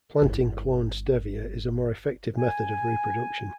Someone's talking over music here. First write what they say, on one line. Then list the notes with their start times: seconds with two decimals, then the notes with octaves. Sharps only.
Planting cloned stevia is a more effective method of reproduction.
0.22 G1 E4
2.37 G#5